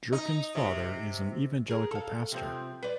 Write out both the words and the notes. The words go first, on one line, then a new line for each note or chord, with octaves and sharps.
Jerkins' father is an Evangelical pastor.
D#4
C3
G#4 A#4
A4 F5
C3 F3 C4
B4 D5